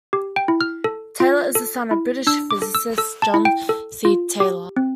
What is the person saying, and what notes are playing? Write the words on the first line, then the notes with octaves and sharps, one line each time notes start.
Taylor is the son of British physicist, John C. Taylor.
G4
G5
E4
F6
A4
F4
A4
E4
D4 E6
D6
A4
E6
A4 E6
A5
E4
G5
A4
F4
G4
C4